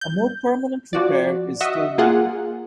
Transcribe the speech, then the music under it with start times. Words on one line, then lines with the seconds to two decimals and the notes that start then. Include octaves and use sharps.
A more permanent repair is still needed.
0.01 G6
0.93 F3 F#4 D5
1.61 F#4 D#5 E5
1.98 A#3 F4 G#4 F#5